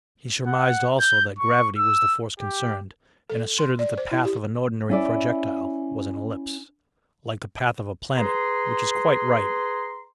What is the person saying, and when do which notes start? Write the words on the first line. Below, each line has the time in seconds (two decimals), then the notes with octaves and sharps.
He surmised also that gravity was the force concerned, and asserted that the path of an ordinary projectile was an ellipse, like the path of a planet--which is quite right.
0.47 F#5
1.00 G6
1.39 C#6
1.77 E6
2.40 G4
3.30 A4
3.59 C6
3.79 D5
3.98 C5
4.11 E4
4.25 G4
4.90 C#4 E4 D5
8.16 G#4 B4 A#5 C6